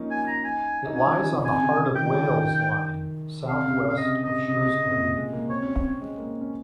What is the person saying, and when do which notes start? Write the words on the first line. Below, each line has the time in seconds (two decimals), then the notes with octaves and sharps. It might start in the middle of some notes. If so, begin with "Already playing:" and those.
It lies on the Heart of Wales Line, south west of Shrewsbury.
Already playing: F3 A#3 C#4 D#4
0.11 G#5
0.27 A#5
0.44 G#5
0.86 D#4
0.95 C#4 G#5
1.07 F3
1.20 D#3
1.33 C#3
1.45 C3 G#5
1.61 C#3
1.70 C3
1.96 D#3 G5
2.13 F3
2.29 D#3
3.48 C3 F5
3.68 C#3
3.73 C3
3.89 F5
3.98 C3 D#5
4.24 C3 D#5
4.48 C#3 D#5
4.66 C#3
4.83 C3
4.94 A#2
4.99 C3
5.16 G#3
5.33 A#3
5.49 C4 C#5
5.62 C#4
5.67 C4
5.84 C#4
6.01 G#3
6.18 A#3
6.41 C#4